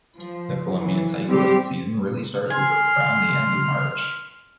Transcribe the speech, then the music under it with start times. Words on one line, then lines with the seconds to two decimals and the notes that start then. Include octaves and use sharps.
The Colombian cyclist season really starts at around the end of March.
0.17 F3
0.77 E3 F#3
1.26 G3 C4 G4
2.50 G#5 C6 F6